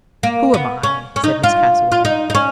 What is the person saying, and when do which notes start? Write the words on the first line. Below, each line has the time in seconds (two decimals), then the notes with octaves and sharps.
"Who am I?" said Miss Cassewary.
0.23 A#3
0.54 B3
0.83 C#4
1.16 C#4
1.24 D#4
1.43 F4
1.92 F4
2.05 D#4
2.30 D#4
2.35 C#4